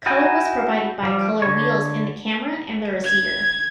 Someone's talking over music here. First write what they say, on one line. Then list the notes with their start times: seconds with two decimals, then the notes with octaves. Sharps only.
Color was provided by color wheels in the camera and the receiver.
0.06 E4 F#4 D#5 G5 G#5
1.03 F3 G3
1.42 D3 C#5
3.04 G#6